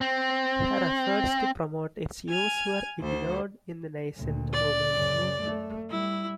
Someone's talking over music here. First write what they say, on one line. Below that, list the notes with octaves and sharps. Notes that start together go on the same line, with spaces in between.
Her efforts to promote its use were ignored in the nascent Women's Movement.
C4
G#5 F6 G#6
D2 C5
D2 A#2
D5
F#2 C#3
A3
G3 E4